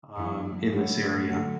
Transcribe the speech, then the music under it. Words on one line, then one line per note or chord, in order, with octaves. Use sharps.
um, in this area,"
F#2 E3 F#3 B3 E4
A2 F#3 A3 D4 F#4
D3 A3 F#4